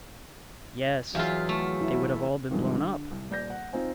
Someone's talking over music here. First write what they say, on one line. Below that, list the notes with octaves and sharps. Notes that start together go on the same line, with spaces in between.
"Yes, they would have all been blown up."
E2 F#3 F4 G#4 E5 F5
A3
E4
G2 D#3 F3 G3 G#3
D3
C2
D#1 D5 G6 A#6
F#5
C4 D#4 F4 C5 G#5